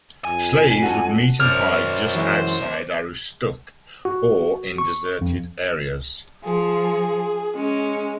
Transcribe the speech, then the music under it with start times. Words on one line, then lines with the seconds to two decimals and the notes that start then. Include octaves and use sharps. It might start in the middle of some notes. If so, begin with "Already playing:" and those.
Slaves would meet and hide just outside Aroostook or in deserted areas.
0.25 F2 G#5
0.83 F#4 A4
1.40 F#2 C5 D5 F6
2.15 E3 F#3 G#3
4.05 F#4
4.78 C#6
5.21 F2
6.44 F3 G#4
7.57 G#3 C#4